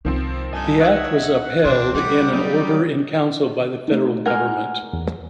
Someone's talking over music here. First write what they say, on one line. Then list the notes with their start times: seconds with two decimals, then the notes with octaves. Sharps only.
The act was upheld in an Order in Council by the federal government.
0.05 C2 D#3 F3 C4
0.54 G2 D#4 A4 G#5
0.80 D#4 C#5 D#5 E5 F#5
1.64 C#2 B2 C4 D4 C6
1.94 G3 A3 F#5 D6
2.33 F#3 C#4 D#4 D5
3.88 A3 D#4
4.26 G#3 A#3 A#4 F#5 G#5 F6
4.93 E2